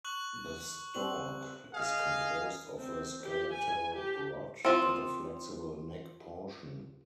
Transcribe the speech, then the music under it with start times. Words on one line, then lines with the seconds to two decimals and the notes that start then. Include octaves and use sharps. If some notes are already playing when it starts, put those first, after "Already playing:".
The stalk is composed of a skeletal rod and a flexible neck portion.
0.04 C#6 F#6 F#7
0.94 G3 C4 F#7
1.74 G#4 D#5 F5
2.78 C4
3.23 G4
3.53 G#5
3.95 G4
4.65 F3 C4